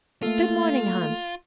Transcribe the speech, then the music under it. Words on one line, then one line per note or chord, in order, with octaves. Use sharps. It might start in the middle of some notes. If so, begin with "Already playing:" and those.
'Good morning, Hans.
A3 A#3 F4 A4